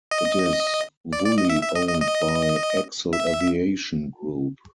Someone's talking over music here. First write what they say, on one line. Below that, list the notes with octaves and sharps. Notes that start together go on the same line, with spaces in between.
It is wholly owned by ExelAviation Group.
D#5
D5
D5
D#5
E5
E5
D#5
D#5
D#5
E5